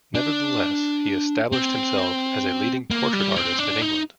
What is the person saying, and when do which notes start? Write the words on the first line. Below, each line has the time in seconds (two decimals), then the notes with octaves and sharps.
Nevertheless, he established himself as a leading portrait artist in England.
0.15 D4
1.52 C4
2.91 A#3
3.13 G3
3.36 C4
3.59 D4
3.82 D#4